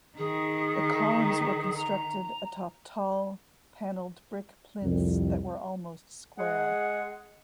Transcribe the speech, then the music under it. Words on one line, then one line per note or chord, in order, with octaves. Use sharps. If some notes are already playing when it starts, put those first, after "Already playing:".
The columns were constructed atop tall, paneled brick plinths that were almost square.
D#3 G#4
A#5
C2 F2
G#3 G#4 F#5